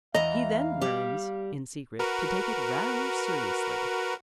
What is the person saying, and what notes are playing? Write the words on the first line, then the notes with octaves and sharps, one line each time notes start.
He then learns, in secret, to take it rather seriously.
E2 E3 D#5 F5 A#5
G3 G4
F#4 A#4 B4